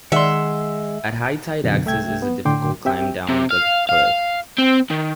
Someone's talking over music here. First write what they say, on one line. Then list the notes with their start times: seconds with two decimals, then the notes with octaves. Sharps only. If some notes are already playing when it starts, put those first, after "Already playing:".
At high tide access is a difficult climb down the cliff.
0.12 D#3 G#3 E5 F#5 C6
1.64 F#2 B2 D3
1.85 C2 A3 E5 G5 G#6
2.22 B3
2.46 A2 D3 G5 C6 D6
2.85 C4 G4 E5 G5
3.29 C3
3.51 F5
3.89 F5
4.58 C4
4.90 D#3